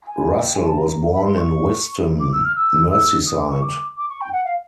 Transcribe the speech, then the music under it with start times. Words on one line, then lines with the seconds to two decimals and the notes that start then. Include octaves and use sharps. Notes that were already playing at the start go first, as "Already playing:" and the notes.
Russell was born in Whiston, Merseyside.
0.07 G#5
0.43 G5
0.55 G#5
0.66 A5
0.78 A#5
1.14 B5
1.26 C6
1.37 C#6
2.20 D6
2.33 E6
2.44 F6
2.56 E6
2.91 E6
3.27 D#6
3.39 D6
3.51 C#6
3.62 D6
3.97 D6
4.10 C#6
4.21 G5
4.33 F#5
4.45 F5